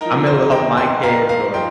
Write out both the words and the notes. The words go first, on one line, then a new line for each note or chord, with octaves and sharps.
I'm able to help my kids or,
F3 D#4 A#4
C5
D#5 G5
G5 C6
F5 A#5
F5 A#5
F3 D#4 G5 C6